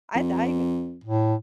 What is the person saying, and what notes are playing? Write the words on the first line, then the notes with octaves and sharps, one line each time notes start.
I I
F2
A2